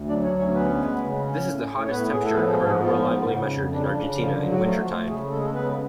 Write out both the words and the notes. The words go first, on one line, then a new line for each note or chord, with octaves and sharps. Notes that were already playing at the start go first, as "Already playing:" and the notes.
This is the hottest temperature ever reliably measured in Argentina in winter time.
Already playing: D2
F#3 D4 D5
C#4 C#5
D2
C#4 C#5
B3 C#4 B4
G#3
C#3
C#4
A2
A2
C#5
A2 B3 B4
A2 G#4
A4
F3 B3 B4
G#3 G#4
G#2
G#3 G#4
F3 B3 F4
G#2
C#3
F2
C#3 D4
F4
D4
C#3
D3 F3 F4
F#3
F#4
F3 A3 F4
A3
C#3 G#3 G#4
G#3 A4
G#4
A3 A4
C#3 B3 B4